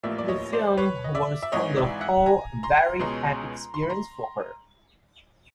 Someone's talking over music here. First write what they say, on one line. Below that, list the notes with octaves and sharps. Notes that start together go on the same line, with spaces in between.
The film was on the whole a very happy experience for her.
A1 A2 F3 A#3 D5 E5
D5
C#5 D#5
C5 D5
B4 C#5
D#5
D5 E5
E5
G#1 G#2 E3 C#5 D#5
D5 E5
E5 F#5
G#5 A#5
A#5 C6
C#2 B2 G#3 C#4 A#5 C6
C6
B5
A#5 C6